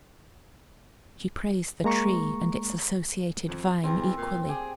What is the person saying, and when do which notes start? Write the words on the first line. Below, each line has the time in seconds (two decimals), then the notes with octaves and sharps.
She praised the tree and its associated vine, equally.
1.84 G#3 A#3 A#5 C#6
3.48 F2
3.84 E2 C4
4.17 A#2
4.49 G4 G#4